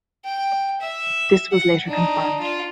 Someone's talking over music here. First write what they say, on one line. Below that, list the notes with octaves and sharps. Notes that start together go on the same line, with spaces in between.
This was later confirmed.
G5
E5
F#5
D4 D#4
D4 F4